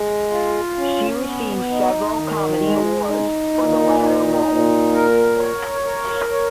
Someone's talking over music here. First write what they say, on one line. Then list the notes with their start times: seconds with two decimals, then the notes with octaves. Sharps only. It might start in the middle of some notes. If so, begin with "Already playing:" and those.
She received several comedy awards for the latter role.
Already playing: G#3
0.31 F4
0.77 C#4
1.24 B3
1.70 D#4
2.16 D#3
2.61 G#3
3.08 D#4
3.54 A#2
4.00 D#4
4.46 A#2
4.92 A#4
5.37 C#5
5.84 A#4
6.31 C#5